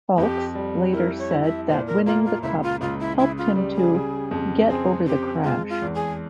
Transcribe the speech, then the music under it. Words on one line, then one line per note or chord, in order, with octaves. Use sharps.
Foulkes later said that winning the Cup helped him to "get over the crash".
F2 G4
G3
E4 A#4
C#5
E4
E5
A#2 C5
A#4
A#3 F4
F4
C#2 E4
F4
C#2 F4
E4
C#3 E4
F4
G3
G#4
C#3
F2
C4 G#4
C4 G4
G#3 F4
F4
E2
G#4